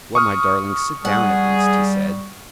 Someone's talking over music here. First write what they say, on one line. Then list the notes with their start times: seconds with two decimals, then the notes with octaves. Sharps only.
"Well, my darling, sit down, at least," he said.
0.15 C#6 D#6 F6
1.05 G3 G#4 F#5